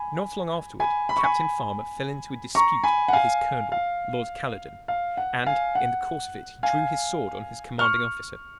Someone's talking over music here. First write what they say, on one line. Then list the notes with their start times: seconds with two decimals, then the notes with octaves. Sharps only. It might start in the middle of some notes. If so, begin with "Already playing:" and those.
Not long afterward Captain Farmer fell into a dispute with his colonel, Lord Caledon, and in the course of it he drew his sword on his commanding officer.
Already playing: G#5 B5
0.80 G#5 B5
1.09 B5
1.17 C#6
1.24 G#5 B5
2.55 A#5 C#6
2.84 G#5 B5
3.08 F#5
3.13 F5 G#5
3.72 F5
4.88 F5
5.17 F#5
5.46 F5 G#5
5.75 F#5
6.63 F5 G#5
7.79 C#6 F6